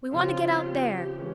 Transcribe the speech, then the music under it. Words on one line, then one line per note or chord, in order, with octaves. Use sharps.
We want to get out there.
C#3 F3 C4 F4
G4
E3 G#3 C#4